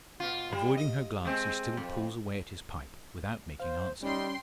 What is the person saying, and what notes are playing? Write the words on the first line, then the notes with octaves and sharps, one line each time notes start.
Avoiding her glance, he still pulls away at his pipe, without making answer.
B2 F4
G3
D#5
G#3 C4
F2
C5 F5
G3 C#4 D#4 G5 C6